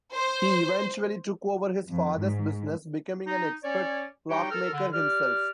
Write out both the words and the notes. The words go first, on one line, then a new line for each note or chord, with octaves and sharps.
He eventually took over his father's business, becoming an expert clockmaker himself.
C5
F2
G#2
D#4
C#4 C#5 D5
G3 D#4 F#4 G4 C#5 G5
A4 A#4 F6
D3
G4 D5 F6